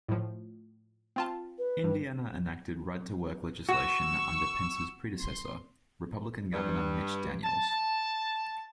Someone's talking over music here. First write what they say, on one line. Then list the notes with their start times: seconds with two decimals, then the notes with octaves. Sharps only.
Indiana enacted right-to-work legislation under Pence's predecessor, Republican governor Mitch Daniels.
0.08 A2 F3
1.16 C4 F4 A5
1.58 B4
1.84 G2
3.69 F#4 C#6 E6
5.21 C6
6.53 G2
7.44 A5